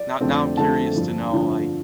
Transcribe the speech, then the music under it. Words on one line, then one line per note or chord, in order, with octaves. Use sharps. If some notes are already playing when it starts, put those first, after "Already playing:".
now now I'm curious to know, like,
Already playing: D5
F2 D3 A3 C4
F2 D3 A3 C4 A5
G2 D3 F3
G2 D3 F3